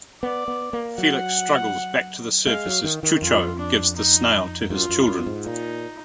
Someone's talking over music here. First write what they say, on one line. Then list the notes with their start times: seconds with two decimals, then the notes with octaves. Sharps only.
Felix struggles back to the surface as Chucho gives the snail to his children.
0.22 B3 D5
0.48 B3
0.73 A#3
0.97 F#3 F#5
2.47 G#3 F5
2.66 F#3
2.84 D#3
3.03 D#3
3.22 F2 F4
3.58 D4
3.96 D#4
4.70 F#2 F4
4.89 F#2
5.08 F#2
5.26 G#2
5.46 A#2 D#4